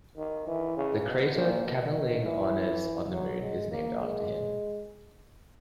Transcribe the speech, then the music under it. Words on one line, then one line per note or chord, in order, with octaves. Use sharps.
The crater Kamerlingh Onnes on the Moon is named after him.
D#3
E3
C#3
B2
A#2
B2
D#3
E3
F#3
G#3
A#3
G#3